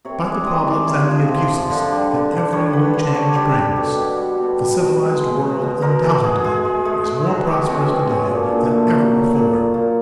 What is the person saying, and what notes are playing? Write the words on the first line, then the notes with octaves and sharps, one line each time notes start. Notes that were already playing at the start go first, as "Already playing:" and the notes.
Despite the problems and the abuses that every new change brings, the civilized world undoubtedly is more prosperous to-day than ever before.
C3 C#5
G#3 D5
C3 D#5
G#3 D5
C3 C#5
F3
F3
F3
D3
G3
D3
D3
G3 C#5
D3 B4
D3 C5
D3 C#5
G3 G4
G3
B2 A4
B2
G3
B2
G3
B2
G#3
G#3
B2
B2
B2 A#4
B2 A4
G#3 G#4
G#3 G#4
G#3
G#3
G#3
B2
G#3 G4
B2 C#4
G#3 C4
G#3 C#4
A#2 D4
A#2
A3
F#3
F#3
A#2
A#2
A#2